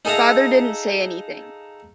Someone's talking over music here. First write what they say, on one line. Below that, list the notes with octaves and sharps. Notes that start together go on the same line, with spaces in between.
Father didn't say anything.
D#4 G#4 A4 E5 F5 A#5